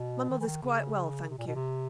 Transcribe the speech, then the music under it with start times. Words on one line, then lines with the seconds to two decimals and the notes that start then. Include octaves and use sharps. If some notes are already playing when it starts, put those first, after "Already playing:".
My mother's quite well, thank you.
Already playing: B2
0.30 D#3
0.40 E3
0.46 D#3
0.63 C#3
1.30 C3
1.38 A#2
1.47 B2
1.55 C3